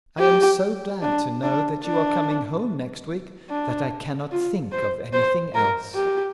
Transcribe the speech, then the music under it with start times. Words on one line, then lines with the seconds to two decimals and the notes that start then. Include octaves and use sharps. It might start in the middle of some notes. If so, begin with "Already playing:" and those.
I am so glad to know that you are coming home next week, that I cannot think of any thing else.
0.20 G4
1.02 D4
1.43 D4
1.85 D4
3.49 D4
4.32 F4
4.72 C5
5.13 C5
5.55 A#4
5.96 G4